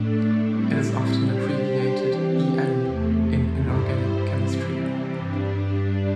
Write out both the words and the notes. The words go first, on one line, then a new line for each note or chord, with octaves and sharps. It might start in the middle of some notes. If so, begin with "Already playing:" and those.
It is often abbreviated "en" in inorganic chemistry.
Already playing: A2 A3 D4
A2 G3 C4 E4
G3 D4 G4 C5
E3 C4 G4
E2 C3 A3
G2 G3 E4 C5
C3 E3 G3 C4
G2 G3 D4